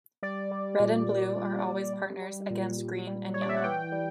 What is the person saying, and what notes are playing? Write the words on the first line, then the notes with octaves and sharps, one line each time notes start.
Red and blue are always partners against green and yellow.
G3 D5
G3
A#2
A#2
A#2
G3
G3
G3
A#2
A#2
G3
G3 C#5
D5
E5
F#5
E3 G5
G3